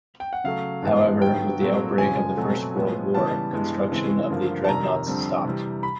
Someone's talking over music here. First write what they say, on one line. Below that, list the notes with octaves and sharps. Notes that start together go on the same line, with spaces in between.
However, with the outbreak of the First World War, construction of the dreadnoughts stopped.
G5
F#5
C#3 F#3 A3 F5
G2 E3 G#3 B3
G2 D3 F#3 B3 G5
A#2 F#3 A3 C4
F#2 C#3 F3 G#3 G#5
B2 F#3 A3 C4
A2 F3 G#3 B3
C#3 E3 G3 B3 A5
G2 E3 G#3 B3
C#3 E3 G#3 C4
G2 D3 F3 A#3
A5
F2 C3 D#3 A#5
F2 D3 G3 C4
C3 E3 G3
B5